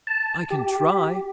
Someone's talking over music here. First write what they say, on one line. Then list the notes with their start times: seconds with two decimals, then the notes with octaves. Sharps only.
"I can try."
0.07 A5
0.51 G4